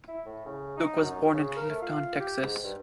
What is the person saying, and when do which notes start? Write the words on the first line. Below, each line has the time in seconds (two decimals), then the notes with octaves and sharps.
Duke was born in Clifton, Texas.
0.08 E4
0.26 A2
0.46 C#3
0.77 D#4
1.00 F#2
1.34 C#3
1.56 A#4
1.70 A3
1.82 F4
2.19 G4
2.41 G#2
2.63 G2